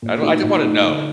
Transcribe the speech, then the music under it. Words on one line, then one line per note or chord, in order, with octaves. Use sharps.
I don't I don't wanna know.
A#2
A3 D#4 F#4
A#2
A3 D#4 F#4
D3